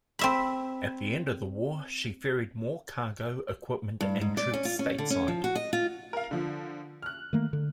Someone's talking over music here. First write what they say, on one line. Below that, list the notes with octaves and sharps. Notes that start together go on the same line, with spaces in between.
At the end of the war she ferried more cargo, equipment and troops stateside.
C4 E5 B5
G2
G#2
D5
C#4
F4
C#4
D3
C#4
F3
F#4
D#5
F4
A#4 F5
D3 F3
F6 F#6
D#3 A3 A#3
D3